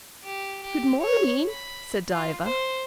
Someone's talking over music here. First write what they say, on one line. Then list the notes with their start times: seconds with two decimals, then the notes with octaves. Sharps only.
"Good morning," said Diva.
0.24 G4
0.63 G4
1.01 C#5
1.48 B5
2.11 F4
2.44 C5